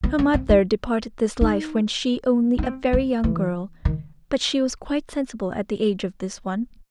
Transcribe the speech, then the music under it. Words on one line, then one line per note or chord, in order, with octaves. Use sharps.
Her mother departed this life when she only a very young girl, but she was quite sensible at the age of this one.
B3
C4
C4
D#4
D#4
D#4
C4
B3
E3
D#3